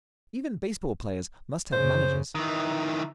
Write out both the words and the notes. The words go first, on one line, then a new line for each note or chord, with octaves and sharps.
Even baseball players must have managers.
F#2 C#3 C5
D#3 E3